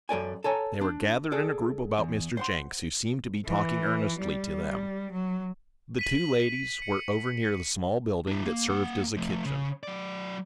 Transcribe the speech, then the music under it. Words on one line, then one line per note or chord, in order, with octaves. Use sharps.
They were gathered in a group about Mr. Jenks, who seemed to be talking earnestly to them. The two ladies were over near the small building that served as a kitchen.
F#2 A4 D5 G#5
A4 C#5 G#5 A#5
D4
G#4 A4 D5
E2
C5 F#5 C6
E3
G3
F#3
B6 D#7 F#7
C#7
D4 E4
A#3
A#3 F#5
F3 A3
C#3
F#3 D5